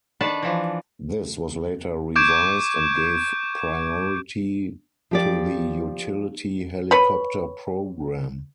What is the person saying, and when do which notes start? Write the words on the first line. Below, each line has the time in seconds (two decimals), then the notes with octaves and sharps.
This was later revised and gave priority to the utility helicopter program.
0.21 D#3 D4 B4 D5 A5
0.42 E3 F3
2.16 C#6 D6 G6 G#6 D7 E7
5.11 F3 G4 D5
6.91 B4 C#5 B5